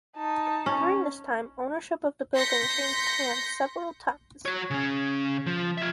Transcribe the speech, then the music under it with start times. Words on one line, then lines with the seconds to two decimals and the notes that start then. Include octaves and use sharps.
During this time ownership of the building changed hands several times.
0.17 D#4 A5
0.66 C#4
2.35 C6 G6 A#6 B6 C#7
4.46 F#4 C#5
4.70 C#3 C#4
5.46 F3
5.78 F4 E5